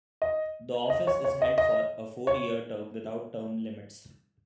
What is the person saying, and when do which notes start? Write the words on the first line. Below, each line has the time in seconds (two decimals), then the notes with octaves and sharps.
The office is held for a four-year term without term limits.
0.22 D#5
0.90 D#5
1.07 C#5
1.24 C#5
1.42 D#5
1.58 D#5
2.27 C#5